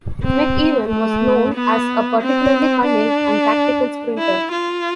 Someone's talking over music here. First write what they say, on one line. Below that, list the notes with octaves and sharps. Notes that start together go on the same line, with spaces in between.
McEwen was known as a particularly cunning and tactical sprinter.
C4
A3
B3
C4
D4
E4
F4